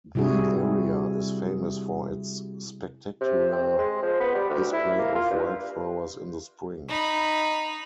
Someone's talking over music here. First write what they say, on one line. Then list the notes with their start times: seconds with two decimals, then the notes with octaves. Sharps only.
The area is famous for its spectacular display of wildflowers in the spring.
0.15 C3 G3 E4 F#4 G#4
3.21 C3
3.53 C4
3.78 G#3
4.03 F3
4.20 B3
4.35 G3
4.50 D2
4.73 E4
4.98 A#3
5.15 F4
5.31 G2
6.89 D#4 B5